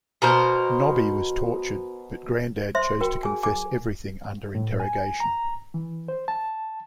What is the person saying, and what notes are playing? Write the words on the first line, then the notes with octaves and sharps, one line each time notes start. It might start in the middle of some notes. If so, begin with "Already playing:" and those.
Nobby was tortured but Grandad chose to confess everything under interrogation.
B2 A#4 C5
C5 E5 C6
F#4 A#4 G5
G#4 G#5
G#5 D6
A2
G#5
A#5
E3
C5
A5